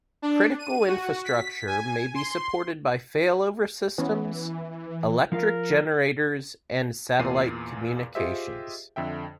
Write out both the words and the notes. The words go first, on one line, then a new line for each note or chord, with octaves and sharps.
Critical infrastructure may be supported by failover systems, electric generators, and satellite communications.
D4
D#7
F#4
B6
G#5
C6
E3 B3 C#4
F3 F4 A#4 F5
E2 A#2 C7 D#7
F4 G4 G#4 C5 D#5 E5
F2 D3 E5 G5